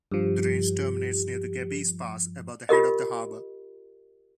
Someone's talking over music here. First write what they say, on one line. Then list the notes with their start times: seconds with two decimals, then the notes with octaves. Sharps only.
The range terminates near Gebbies Pass above the head of the harbour.
0.12 G2 F3 G4
2.69 F4 G4 A#4 D#5